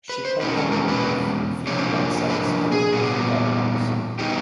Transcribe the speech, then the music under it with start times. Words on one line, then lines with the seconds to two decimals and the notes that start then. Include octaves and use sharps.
She claimed that her owner Phoebe Whitesides had been imprisoned without cause.
0.09 B4
0.25 C5
0.41 E2 B2 G#3 C#4 B4
0.57 A4
0.72 A#4
0.88 B4
1.67 C3 F3 A#3 D4 C#5
2.30 B4
2.72 G#4
2.93 A#2 G3 B3
4.19 D#3 G3 B3 D#4 G4